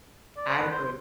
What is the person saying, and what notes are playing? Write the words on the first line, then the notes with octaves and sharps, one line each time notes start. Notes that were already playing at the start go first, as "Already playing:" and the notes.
I agree.
D5
C5
B4
C5
C5